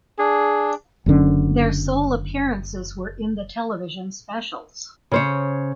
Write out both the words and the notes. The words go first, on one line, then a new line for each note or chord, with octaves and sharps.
Their sole appearances were in the television specials.
D4 G#4
F#1 F#2 D3 C#4
C#3 C5 C#5